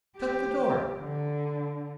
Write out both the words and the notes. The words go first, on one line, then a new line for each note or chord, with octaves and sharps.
Shut the door!
G4
D3